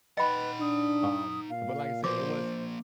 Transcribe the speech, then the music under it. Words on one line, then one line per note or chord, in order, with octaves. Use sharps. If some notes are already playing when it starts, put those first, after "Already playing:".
um, but, like I say, it was
D#4 B4 D#5 F#5 G5 B5
D4 D#6
A#2 F5
F3 A#3 C5 D6